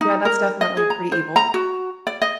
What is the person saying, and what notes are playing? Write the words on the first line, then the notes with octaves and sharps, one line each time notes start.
Yeah, that's definitely pretty evil.
D#4
A#4
D#5
G#4
A#5
C5
A#5
F#4
D5
D#5